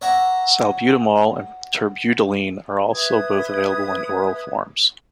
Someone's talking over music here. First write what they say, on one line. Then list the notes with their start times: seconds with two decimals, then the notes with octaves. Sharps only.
Salbutamol and terbutaline are also both available in oral forms.
0.01 C#5 E5 F#5 A#5 D6
2.93 B4 E5 D#6 G#6